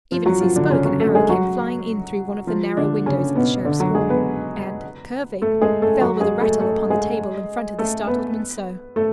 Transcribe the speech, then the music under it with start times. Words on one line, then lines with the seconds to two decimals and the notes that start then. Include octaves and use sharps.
Even as he spoke an arrow came flying in through one of the narrow windows of the Sheriff's hall, and, curving, fell with a rattle upon the table in front of the startled Monceux.
0.12 F3 F4
0.26 F#3 F#4
0.40 F3 F4
0.56 D3 D4
0.70 C#3 C#4
0.85 F#3 F#4
1.00 A3 A4
1.15 G#3 G#4
1.29 F#3 F#4
2.47 F3 F4
2.77 D3 D4
3.06 C#3 C#4
3.35 B2 B3
3.65 D3 D4
3.80 F#3 F#4
3.95 G#3 G#4
4.09 B3 B4
5.42 A3 A4
5.62 G#3 G#4
5.82 A3 A4
6.01 F#3 F#4
6.20 G#3 G#4
6.40 A3 A4
6.60 A3 A4
6.90 G#3 G#4
7.79 A3 A4
8.07 B3 B4
8.96 A3 A4